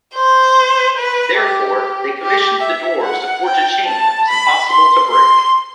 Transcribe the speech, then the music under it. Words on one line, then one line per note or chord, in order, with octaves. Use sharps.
Therefore, they commissioned the dwarves to forge a chain that was impossible to break.
C5
B4
G4
G4
E5
F#5
G5
A5
B5
C6
C6